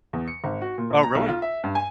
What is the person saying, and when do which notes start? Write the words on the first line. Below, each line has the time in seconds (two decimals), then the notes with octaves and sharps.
Oh, really?
0.13 E2
0.28 C#7
0.44 G#1
0.62 F#4
0.78 A#2
0.90 A#1
1.03 A#5
1.15 B1
1.28 F4
1.42 E5
1.64 G2
1.75 G#5